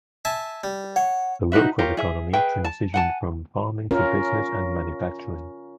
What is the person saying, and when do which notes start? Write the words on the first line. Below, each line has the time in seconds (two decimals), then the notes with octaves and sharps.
The local economy transitioned from farming to business and manufacturing.
0.25 E5 G#5 A5
0.64 G3
0.96 C#5 F#5
1.52 D#4 F#4 B4 E5
1.79 F4 G4 A#4 C#5
1.97 G#4 E5
2.33 G#4 B4 E5 G5
2.64 A5
2.94 F#5 G#5 A5
3.91 C#4 F4 A#4